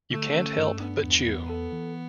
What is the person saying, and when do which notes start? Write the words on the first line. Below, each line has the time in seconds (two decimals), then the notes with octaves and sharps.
You can't help but chew!
0.10 D3 A3
0.34 C#4
0.58 G2
0.80 B3 D4
1.04 E2
1.27 E2
1.49 A4
1.72 E3